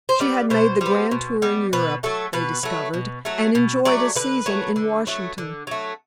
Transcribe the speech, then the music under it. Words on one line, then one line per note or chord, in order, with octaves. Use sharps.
She had made the grand tour in Europe, they discovered, and enjoyed a season in Washington.
C5
G3 B3 D5
B2 C5
G3 B3
B2
G3 B3
B2 B4
F#3 A3 A4
B2 B4
F#3 A3
B2
F#3 A3
B2
F#3 A3 D5
D3 B4
F#3 A3
D3
F#3 A3
D3
F#3 A3